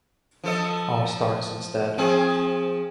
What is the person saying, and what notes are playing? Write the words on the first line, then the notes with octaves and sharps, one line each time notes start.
All Starts instead.
F3 A4 D#5
F3 C4 G#4